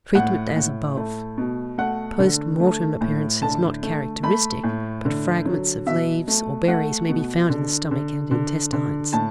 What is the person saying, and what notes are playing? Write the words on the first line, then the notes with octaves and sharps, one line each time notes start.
Treatment as above. Post-mortem appearances not characteristic, but fragments of leaves or berries may be found in the stomach and intestines.
A2 F#5
A2
A3
B2
A3 F#5
D3
A3
A2
D3 A5
A3
A3 B5
A2
D3
F#3
B2 E5
A3
A3 F#5
B2
D3
D3
D3
D3
A2 A5